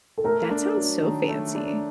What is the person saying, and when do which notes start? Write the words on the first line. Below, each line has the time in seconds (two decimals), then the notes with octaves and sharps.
That sounds so fancy.
0.18 A4
0.24 A3 A#4
0.51 D4
0.77 F#3
1.02 D#3
1.29 A3
1.55 D4